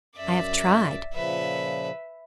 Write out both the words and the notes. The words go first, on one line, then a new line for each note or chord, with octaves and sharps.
I have tried.
F#2 D5 E5
A#2 C#3 F3 B4 E5